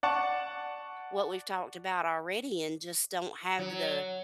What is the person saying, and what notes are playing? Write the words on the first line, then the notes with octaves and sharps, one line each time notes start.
what we've talked about already and just don't have the
D5 F#5 A5 C#6
F#3